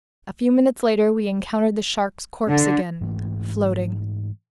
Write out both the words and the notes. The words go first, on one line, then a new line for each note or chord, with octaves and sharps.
A few minutes later we encountered the shark's corpse again, floating.
D3
G#2 E3 A3